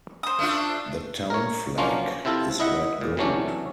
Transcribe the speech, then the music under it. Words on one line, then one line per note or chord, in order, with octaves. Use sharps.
The town flag is red-gold.
C5 D#6
A3 D4 F4
A#4 C#5
F3 F#3 A#3 C#4 D4 F4
C3 C4 E4 F4 A4
E4 D#5 E5 F#5
A#2
C3 E3 F#3 A3 C#4 D4